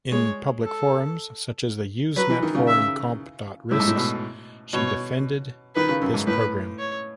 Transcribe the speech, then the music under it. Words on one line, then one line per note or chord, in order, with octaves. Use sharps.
In public forums, such as the Usenet forum comp.risks, she defended this program.
G#3 C#5
A4
F#3 B4
E3
D#3
C#3
E5
A2 E5
G#2
A2
B2
B2 C#5
D#3 B4
C#3
F#2
G#2
A2 B4
C#5